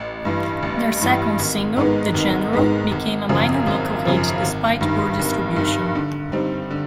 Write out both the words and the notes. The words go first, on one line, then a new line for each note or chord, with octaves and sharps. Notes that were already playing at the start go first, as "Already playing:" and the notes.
Their second single, "The General," became a minor local hit, despite poor distribution.
Already playing: A1
G2 E3
A1
G2 E3
G#1
G#2 D#3 G#3 B3
G#1
G#2 D#3 G#3 B3
G#1
F#2 C#3 F3
G#1
F#2 C#3 F3
G#1
G2 D#3
G#1
G2 D#3
D3
G3 C4 D#4
D3